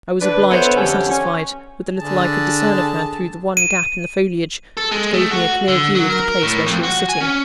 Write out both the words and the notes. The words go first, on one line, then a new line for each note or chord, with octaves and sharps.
I was obliged to be satisfied with the little I could discern of her, through the one gap in the foliage which gave me a clear view of the place where she was sitting.
D3 D4 B4
B3 A4 C5 C#5 E5
F2 D3 C#4 G4 F#5
C#4
D3 G#4 A5
D#7
A4
G#3
A3
F#4
D3
F#3
A#4
A2
F2
F#4
G#5
C#4